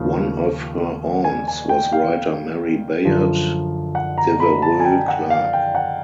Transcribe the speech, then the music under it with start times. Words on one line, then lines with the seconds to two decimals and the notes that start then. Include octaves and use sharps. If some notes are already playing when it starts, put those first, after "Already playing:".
One of her aunts was writer Mary Bayard Devereux Clarke.
Already playing: D#2 C#3 F3
1.24 G#5
1.48 G#5
1.69 G5
1.93 F5
3.05 F#2 D3 F3
3.95 F#5
4.18 A#5
4.40 B5
4.62 A5
4.80 G#5
4.85 G5
5.08 F#5
5.30 F5
5.53 G5
5.75 F#5